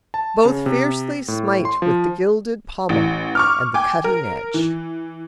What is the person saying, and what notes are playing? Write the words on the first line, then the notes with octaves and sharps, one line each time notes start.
Both fiercely smite with the gilded pommel and the cutting edge.
A5
C#3
C3
A2
C6
F3
A1 E3
C#6 D6 F6
G5 G#5 D6
A#4
E3